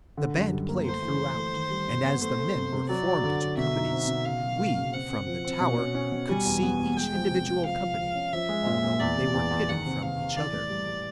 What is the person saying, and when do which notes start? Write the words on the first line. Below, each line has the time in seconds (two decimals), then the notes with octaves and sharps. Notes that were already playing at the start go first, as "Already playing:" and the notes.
The band played throughout and as the men were formed into companies we from the tower could see each individual company although they were hidden from each other.
0.17 D3
0.35 F#2
0.52 G3
0.69 A#3
0.85 A3 C5
1.02 E3
1.20 E3
1.36 A3
1.53 D#3
1.70 G3
1.88 G2
2.04 B3
2.21 A3 C5
2.39 A3
2.55 C3
2.72 C3
2.89 F#3 D5
3.07 F#3
3.24 D3
3.41 F#3
3.57 B2 E5
3.75 D#4
3.92 C4
4.08 B2
4.25 C#3 F5
4.42 F#3
4.59 A#3
4.76 C#3
4.92 C4 F#5
5.10 C4
5.27 F3
5.44 C4
5.61 B2
5.78 C#4
5.95 C#4
6.12 B2
6.29 G3 G#5
6.45 E2
6.63 B3
6.79 E2
6.96 G#3 G5
7.13 F3
7.31 C3
7.48 C3
7.64 F3 F5
7.81 F3
7.98 F3
8.15 C#4
8.33 F3 E5
8.49 G#3
8.66 A#2
8.84 A#2
9.00 E2 D5
9.17 E2
9.34 E2
9.51 E2
9.68 D#3 F#5
9.86 C3
10.02 C3 F5
10.20 C3
10.36 E3 D5
10.53 A2
10.70 G3
10.87 G3